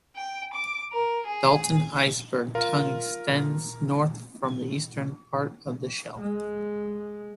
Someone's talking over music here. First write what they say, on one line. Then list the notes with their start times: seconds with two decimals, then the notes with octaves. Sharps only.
Dalton Iceberg Tongue extends north from the eastern part of the shelf.
0.16 G5
0.53 D6
0.92 A#4
1.26 G#4
2.55 F4 A#4
6.18 G#3